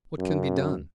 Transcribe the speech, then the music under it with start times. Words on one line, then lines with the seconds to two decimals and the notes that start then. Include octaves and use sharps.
"What can be done?"
0.18 F#2